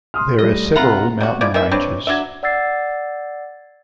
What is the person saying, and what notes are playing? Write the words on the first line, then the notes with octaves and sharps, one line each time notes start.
There are several mountain ranges.
C6 D#6 F6
G3 A3 D#5
C2 F4 E5 F#5 A#5 B5
G3 F#4
F3 G#3 E4 D5
D#3 E3 E5
C4 D4 B4 C#5
F#3 D4 E5
D5 F#5 E6 G#6 A6 C7